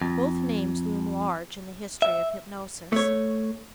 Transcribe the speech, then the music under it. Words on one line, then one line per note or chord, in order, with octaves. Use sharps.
Both names loom large in the history of hypnosis.
F2
E5
A3 C#5